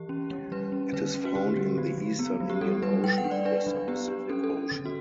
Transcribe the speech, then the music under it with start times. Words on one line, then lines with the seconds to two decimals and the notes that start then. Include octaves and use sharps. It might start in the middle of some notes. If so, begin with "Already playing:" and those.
It is found in the eastern Indian Ocean and western Pacific Ocean.
Already playing: E3 G4
0.09 C#4
0.31 G3
0.52 G3 B4
0.72 C#4
0.93 D3 B4
1.14 C#4
1.25 F#4
1.35 D3 G4
1.57 G3
1.78 F#3
1.98 F#3
2.19 B3
2.40 F#3
2.50 G4
2.61 G3 A4
2.82 G3 B4
3.04 G3 G5
3.18 F#5
3.24 D4
3.31 D5
3.45 D4 B4
3.67 F#3
3.88 B3 G4
4.08 D4
4.29 C#4 A4
4.44 A4
4.50 C#4
4.71 D3
4.85 F#4